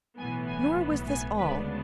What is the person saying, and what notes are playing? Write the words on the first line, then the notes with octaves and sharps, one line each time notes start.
Nor was this all.
B1 A2 E3 B3 G#5
G#5
G#5
D2 C#3 G#3 B3 D4 B4